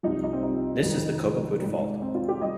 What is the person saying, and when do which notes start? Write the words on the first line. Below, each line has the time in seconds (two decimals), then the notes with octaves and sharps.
This is the Cobequid Fault.
0.03 C2 C3 F3 D#4
0.24 D#4
0.33 C4
0.43 D#4
0.82 F2 D#3 G3
1.62 G#2 G3
2.02 C4
2.15 F4
2.28 G4
2.41 G3 D#5